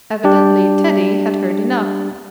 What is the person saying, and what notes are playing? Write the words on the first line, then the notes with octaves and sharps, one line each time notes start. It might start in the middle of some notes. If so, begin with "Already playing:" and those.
Evidently Teddy had heard enough.
G3 D4 G4